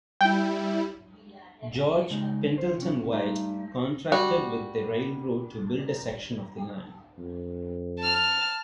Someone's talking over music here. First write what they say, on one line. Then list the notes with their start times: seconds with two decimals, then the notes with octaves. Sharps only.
George Pendleton White contracted with the railroad to build a section of the line.
0.21 G3 E4 G5
2.10 C#3 G#3 D#4
2.58 C5
2.78 C3 C#4
3.12 G2 A3 D#4
4.12 G3 F#4
7.19 F2
7.99 A5 F6